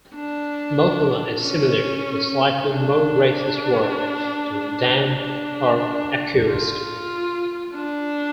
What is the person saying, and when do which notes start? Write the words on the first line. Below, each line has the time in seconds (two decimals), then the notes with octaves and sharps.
Mokoma is similar but slightly more gracious word to "damned" or "accursed".
0.14 D4
1.41 C#4
2.68 D4
5.20 D4
6.47 F4
7.74 D4